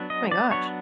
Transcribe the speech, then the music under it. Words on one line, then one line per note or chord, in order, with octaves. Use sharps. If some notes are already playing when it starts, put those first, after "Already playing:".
My gosh.
Already playing: F#3 B3 D4
D#5
D5
F#3 B3 D4 C#5